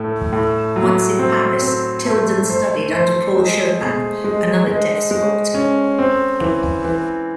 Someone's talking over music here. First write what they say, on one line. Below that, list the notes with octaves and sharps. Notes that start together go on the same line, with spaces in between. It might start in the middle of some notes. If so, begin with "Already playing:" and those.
Once in Paris, Tilden studied under Paul Chopin, another deaf sculptor.
Already playing: A2 A3
A2
F#3
C4
C4
A3
C5
C5
G#3
G#4
G#3
G#3
G#3
C#4
C4
E3
E3